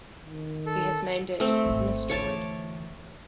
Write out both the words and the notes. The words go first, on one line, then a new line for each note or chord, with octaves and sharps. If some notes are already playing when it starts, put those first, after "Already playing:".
He has named it Mysteroid.
D#3
A4
A3 C4
D1 G#1
D2 E3 C#5 A5 D6